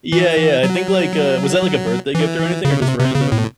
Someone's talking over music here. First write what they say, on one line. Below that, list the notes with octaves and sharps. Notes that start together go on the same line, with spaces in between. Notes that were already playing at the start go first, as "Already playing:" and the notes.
Eh Yeah, yeah, I think, like, uh, was that, like, a birthday gift or anything or just random?
E3
F#3
E3
C#3
C3
C3
C#3
A2